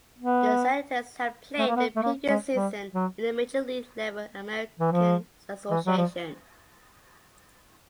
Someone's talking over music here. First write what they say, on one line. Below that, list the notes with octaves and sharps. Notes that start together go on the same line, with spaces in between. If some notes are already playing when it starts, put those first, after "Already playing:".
The Senators had played the previous season in the major league level American Association.
B3
A3
A#3
B3
A3
A#3
G#3
G3
F#3
E3
F3
E3
F#3
F3